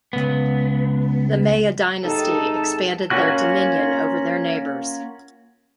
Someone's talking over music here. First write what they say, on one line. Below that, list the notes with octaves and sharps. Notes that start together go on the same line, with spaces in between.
The Maya dynasty expanded their dominion over their neighbors.
C#2 B3
D#2 C3 G#3 D#4 A4 A5
A#3 C#4 F4 F#4 F#6